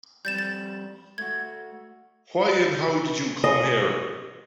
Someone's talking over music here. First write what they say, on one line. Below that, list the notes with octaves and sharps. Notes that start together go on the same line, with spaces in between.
Why and how did you come here?
F2 G3 G6 A6 E7
A6
A3 F#4 G#6
D#5